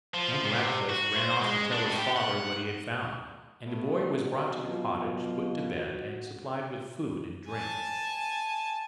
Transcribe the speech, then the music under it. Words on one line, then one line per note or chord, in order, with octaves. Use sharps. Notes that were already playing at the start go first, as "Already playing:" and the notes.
Young Ratcliff ran off to tell his father what he had found; and the boy was brought to the cottage, put to bed, and supplied with food and drink.
F3
C3
F#4
C5
G#3
D4
A2
G4
F#5
A3 B3
B2
F#3 B3 F4
F#4
G#5 A5